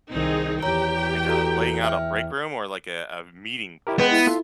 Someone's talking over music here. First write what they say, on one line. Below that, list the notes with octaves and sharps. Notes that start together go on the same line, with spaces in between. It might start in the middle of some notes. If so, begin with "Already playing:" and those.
Like a laying out a break room or like a a meeting place?
C2 D#3 C4 D#4 G#4
E2 G4 C#5 G5 A#5
F#4 A4 A#5
E5 G5 F6
E4 G4 A#4
G#3 B3 B4 G5
E4
F4 A4